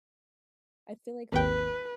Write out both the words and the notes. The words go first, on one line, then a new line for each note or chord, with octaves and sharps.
I feel like the
G#1 D#2 B4 G5